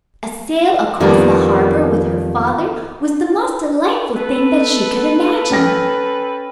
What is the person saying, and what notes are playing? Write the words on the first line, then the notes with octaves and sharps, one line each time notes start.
A sail across the harbor with her father was the most delightful thing that she could imagine.
F2 D#3 G3 A#3 B3 D5
A4 B4
C#4 G5 A#6